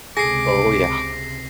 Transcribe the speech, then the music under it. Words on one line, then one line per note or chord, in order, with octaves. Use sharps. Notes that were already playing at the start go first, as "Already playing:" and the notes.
Oh, yeah.
C#2 C3 G#4 D6 A#6 C7